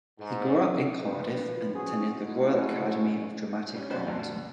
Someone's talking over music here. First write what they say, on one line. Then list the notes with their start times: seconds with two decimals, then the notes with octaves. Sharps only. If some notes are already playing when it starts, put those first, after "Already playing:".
He grew up in Cardiff, and attended the Royal Academy of Dramatic Art.
0.19 G#2
1.03 A1 F3 B4
1.74 C4 C#4 F#4 G#4
2.22 G#3 A3 C#4 E4 F#4
3.75 G3 C#4
3.90 F#2 B2 G3 D4 B4 C5
4.07 D2 G2 B2